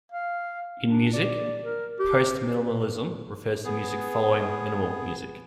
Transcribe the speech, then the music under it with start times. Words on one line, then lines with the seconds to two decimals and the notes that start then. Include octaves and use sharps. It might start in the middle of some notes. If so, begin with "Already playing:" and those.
In music, "postminimalism" refers to music following minimal music.
0.12 F5
0.87 D4
1.13 D5
1.63 A#4
1.99 G4
2.52 B4
3.65 B3 G#4